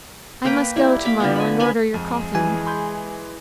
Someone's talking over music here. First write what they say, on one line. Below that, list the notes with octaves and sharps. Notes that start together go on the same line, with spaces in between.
I must go to-morrow and order your coffin.'
A#3 B4 G5 A#5
G3 E4
A#3 B5 D6
D3 F3 B3
G#5 B5
B3 B4 G#5
F2 G#3
E3 G#5
B5 C6 G6